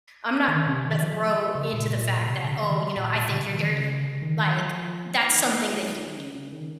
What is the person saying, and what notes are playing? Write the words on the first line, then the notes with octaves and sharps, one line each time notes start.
I'm not a throw into the fact that, "Oh, you know, I think you're dirty," like, that's something that he would do.
D#3
C3
D#3
F3
C#3
A#2
A#2
A#2
C3
C#3
D#3
A#2
A#2
C#3
D#3
C#3
D#3
D#3
F3
D#3
C#3
D#3
F3
D#3
D#3
D#3
C#3
C#3
D#3